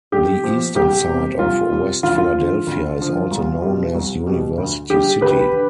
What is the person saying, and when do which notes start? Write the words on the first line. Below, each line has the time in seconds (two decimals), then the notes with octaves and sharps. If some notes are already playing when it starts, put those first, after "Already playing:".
The eastern side of West Philadelphia is also known as University City.
0.12 G2 G4
0.44 F3
0.75 C2 G4
1.08 C3 G3
1.39 C2 F4
1.71 C3 G3
2.03 D2 F4
2.18 F4
2.35 D3 F3
2.67 D2
2.99 D3 F3
3.31 C2
3.62 B2 G3
3.95 C2
4.26 B2 G3
4.58 D2
4.90 D3 G3 G4
5.21 D2 G4 B4
5.54 D3